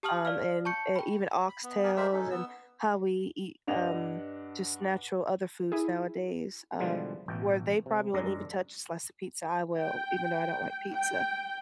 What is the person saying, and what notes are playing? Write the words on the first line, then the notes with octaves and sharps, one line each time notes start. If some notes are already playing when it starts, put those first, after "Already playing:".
um, and, uh, even oxtails and how we eat, um, just natural other foods nowadays, um, where they probably wouldn't even touch a slice of pizza, I will, even though I don't like pizza,
G4 A5 D#6 F6 F#7
D5 F5 F6
A5 C#6 G6 C#7
G5 B5
B5
B3
B3 A#4 D5 G#5
G#3 G4 A#4 C5 E5 E6
C#4 D#4 A4
B3 E6
G2 D4 D#5 F#5 F7
E4 G#4
B2 D3 E3 F3 G3 G#3
A1 B2 G5
C3
F#2 G#3 D4 A#5
G5
G5